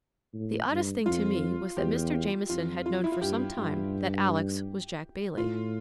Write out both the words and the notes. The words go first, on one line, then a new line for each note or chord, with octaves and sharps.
The oddest thing to me was that Mr. Jamieson had known for some time that Alex was Jack Bailey.
A2
G2
F2 F4
E2 G4
F2 F4
F4
E4
F4
G2 G4
G2
A2 F4